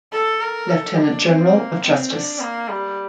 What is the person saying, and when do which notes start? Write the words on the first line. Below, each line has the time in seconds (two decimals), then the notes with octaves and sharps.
Lieutenant General of Justice.
0.12 A4
0.41 A#4
0.70 A4
0.98 D4
1.26 C4
1.54 A#3
1.83 C4
2.12 D4
2.40 A#3
2.69 G3